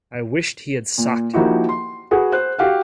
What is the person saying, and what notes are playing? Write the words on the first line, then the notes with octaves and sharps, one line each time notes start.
I wished he had socked him.
A#2
F3 A#3 D#4 E4 F#4 G4
C6
F#4 G#4 B4 F#5
C5 F#6
F#4 G4 F5 F#5